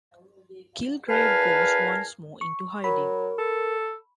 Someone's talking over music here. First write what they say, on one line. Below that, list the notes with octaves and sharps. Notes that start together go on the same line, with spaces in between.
Killgrave goes once more into hiding.
E2 A#4 B4 F5 G#5 A5
C#6
F#3 A#4 B5
A4